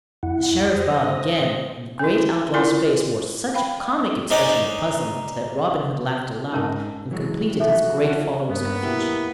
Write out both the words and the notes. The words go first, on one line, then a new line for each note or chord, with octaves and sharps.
The Sheriff bowed again, and the great outlaw's face wore such a comic expression of puzzlement that Robin Hood laughed aloud, and completed his great follower's confusion.
F2 E4 F#5
C5 D#6 A#6
C#4 E4
C#4 E4 F4 A#4 D5 C6
F5 G5 B5
C#4 D#4 C5 D5 F#5
G#2 C#4 D#4 A#4 A5
E3 F#3 G#3
F3 D#4 F#4 A4 E5
C#4
G2 A#3 B3
E4 G4